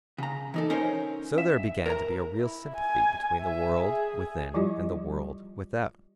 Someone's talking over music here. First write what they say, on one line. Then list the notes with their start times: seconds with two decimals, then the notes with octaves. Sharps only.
And so there began to be a real sympathy between the world within and the world without.
0.18 C#3 A#5
0.54 E3 D#4 A4
0.70 C#4 D#4 A#4 C5 C#5
1.38 E5
1.86 A#4 A#5
2.40 E4
2.77 G#5
3.42 E5
3.84 G#4
4.54 F3 G3 E4 F4 G4 D#5